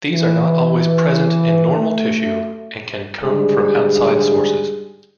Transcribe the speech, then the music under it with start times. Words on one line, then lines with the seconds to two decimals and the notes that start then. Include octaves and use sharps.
These are not always present in normal tissue and can come from outside sources.
0.11 E3
1.77 A3
3.21 G#2 D3 G3 G#3 G4 G#4